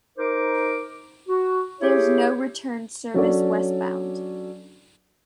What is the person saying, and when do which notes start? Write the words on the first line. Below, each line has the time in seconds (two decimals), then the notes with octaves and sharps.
There is no return service westbound.
0.18 D#4 A#4 C5 D6
1.29 F#4
1.81 E4 G4 G#4 C#5
3.14 F#3 C#4 D4 A4 D5